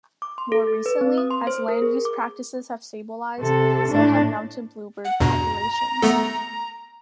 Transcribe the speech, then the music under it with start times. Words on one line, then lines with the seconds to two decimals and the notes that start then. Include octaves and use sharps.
More recently, as land-use practices have stabilized, so have Mountain Bluebird populations.
0.22 D6
0.38 C6
0.52 A4
0.67 A6
0.86 B4
1.01 C4
1.18 D#6
1.31 C6
1.47 C5
1.68 A#4
1.82 G#4
2.05 D6
3.40 C3 A4
3.89 A2 D4
5.05 F#5
5.20 E2 G2 B2 A#5
6.02 A3 B3 A4